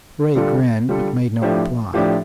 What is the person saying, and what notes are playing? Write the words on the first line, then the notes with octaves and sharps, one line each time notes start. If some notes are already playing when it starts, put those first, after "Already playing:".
Ray grinned, but made no reply.
D3 G3 F4 A4
D3 G3 F4 A4
A2 F3 D4 G4
A2 F3 D4 G4